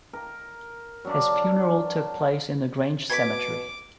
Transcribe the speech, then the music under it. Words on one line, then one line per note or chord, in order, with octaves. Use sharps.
His funeral took place in the Grange cemetery.
A#4
F#3 D4
B2 D6 G#6 B6